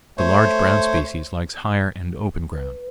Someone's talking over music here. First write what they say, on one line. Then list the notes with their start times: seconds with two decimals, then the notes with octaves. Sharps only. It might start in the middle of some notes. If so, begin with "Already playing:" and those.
The large brown species likes higher and opener ground.
0.18 A3 C5 C#5
2.53 B4